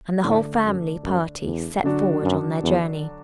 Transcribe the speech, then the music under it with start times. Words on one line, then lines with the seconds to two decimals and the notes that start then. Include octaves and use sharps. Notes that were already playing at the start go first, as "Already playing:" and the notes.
And the whole family party set forward on their journey.
0.24 A2 D3 A3 D4
0.64 F#2
1.04 F#2
1.44 E2
1.84 D3 F#3 D4 F#4
2.23 F#2
2.63 E2